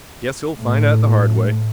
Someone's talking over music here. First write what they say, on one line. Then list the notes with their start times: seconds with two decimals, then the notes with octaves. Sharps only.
"Guess he'll find out the hard way."
0.60 A2